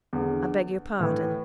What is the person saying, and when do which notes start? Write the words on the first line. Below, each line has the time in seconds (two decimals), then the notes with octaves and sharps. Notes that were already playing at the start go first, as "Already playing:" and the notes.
I beg your pardon.'
0.13 E2 D3
1.00 A2 E3